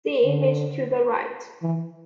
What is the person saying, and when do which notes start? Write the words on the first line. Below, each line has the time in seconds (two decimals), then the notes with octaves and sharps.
See image to the right.
0.25 D3
1.62 E3